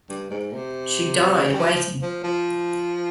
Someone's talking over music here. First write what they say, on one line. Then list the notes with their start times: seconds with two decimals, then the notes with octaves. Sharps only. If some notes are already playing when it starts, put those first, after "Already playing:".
She died waiting.
0.10 G2
0.31 G#2
0.53 C3
1.38 C#3
1.54 G3
1.60 F3
2.02 F3
2.24 F3